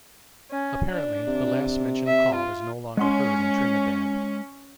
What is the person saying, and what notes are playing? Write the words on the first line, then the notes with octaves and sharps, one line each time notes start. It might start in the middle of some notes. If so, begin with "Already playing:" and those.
Apparently, the last mentioned call is no longer heard in Trinidad.
C#4
D4
C3
E5
F4
G#3 C#4 F#5 C6